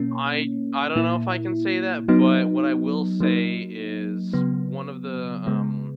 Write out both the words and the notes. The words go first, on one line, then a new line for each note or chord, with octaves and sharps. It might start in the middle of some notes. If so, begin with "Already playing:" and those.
I I don't know if I can say that, but what I will say is one of the, um
Already playing: B2 A#3 C#4
A#2 A#3 E4
F#3 B3 D#4
F#3 A#3 D#4
C#3 F#3 B3
C#3 G#3 B3